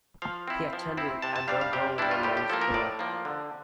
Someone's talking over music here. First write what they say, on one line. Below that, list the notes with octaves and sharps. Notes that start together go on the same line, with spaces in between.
He attended Agogo Roman School.
F3 F5
C4 E4
F3
C4 E4
C3 A5
A5
G3 D4 F5
F5
C3 G4
G3 D4 E4
F4
A2 G4
G4
F3 A#3 A4
A#4
A2 D5
F3 A#3
D3